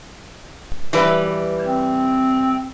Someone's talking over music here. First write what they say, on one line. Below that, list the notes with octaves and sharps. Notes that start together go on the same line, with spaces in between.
But old now.
E3 G3 B4
C4